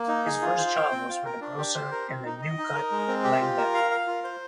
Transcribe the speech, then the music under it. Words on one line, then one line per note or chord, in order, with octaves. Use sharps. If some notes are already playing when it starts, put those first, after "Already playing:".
His first job was with a grocer in the New Cut, Lambeth.
Already playing: A#3
D#4
G#4
F4
C5
G5
C4
F4
A#4
D4
G4
C5
A#4
C4
D#4
D#5
D#4
A#4
G#3
C4
G4
F4
A#4
F5
F5
F4
C5